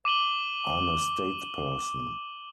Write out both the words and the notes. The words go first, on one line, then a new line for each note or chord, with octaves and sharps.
I'm a statesperson.
D6 D#7 F#7 G7